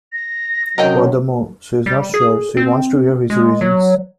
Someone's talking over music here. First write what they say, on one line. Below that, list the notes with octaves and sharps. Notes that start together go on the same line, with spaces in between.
Furthermore, she is not sure she wants to hear his reasons.
A#6
C3 F#3 C#4 A#4 D#5 G5
G3
G#4
C4
G#3
F#3